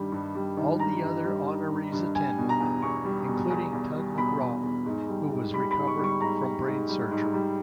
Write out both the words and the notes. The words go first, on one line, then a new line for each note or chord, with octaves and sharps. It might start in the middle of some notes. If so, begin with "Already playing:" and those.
All the other honorees attended, including Tug McGraw, who was recovering from brain surgery.
Already playing: G2 D#3 G3
G2
G3
D#3
G2 A#5
G2
G3
D#3
G2
G2
G3 G#5
B2
A#5
E2
E2 C#6
G3
B2
E2
E2
G3
B2 B5
E2
E2
G#2
G3
G#2
G3 B5
B5
G#2
C#6
G3 C#6
G#2 A#5
G3
G#2
G3
G#2
G3